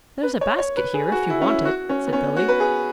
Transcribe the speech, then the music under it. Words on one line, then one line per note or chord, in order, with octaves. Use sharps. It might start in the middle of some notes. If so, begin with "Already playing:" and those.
"There's a basket here, if you want it," said Billy.
B4
C#5
C#5
B4
G#4
G#4
F#4
E4
C#4
E4
F#4
C#4
B3
C#4
F#4
B4
G#4